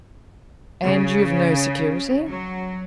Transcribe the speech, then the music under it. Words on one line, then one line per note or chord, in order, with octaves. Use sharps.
"And you've no security?"
C#3
F#3